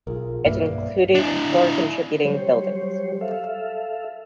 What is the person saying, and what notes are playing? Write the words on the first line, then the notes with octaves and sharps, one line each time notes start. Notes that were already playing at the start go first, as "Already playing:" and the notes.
It included four contributing buildings.
B1 F4 G#4 A#4
B1 G2 A#3 B4 D5 E5
D4 E4
F#3 G3 G4 C5 C#5
A4 E5 F5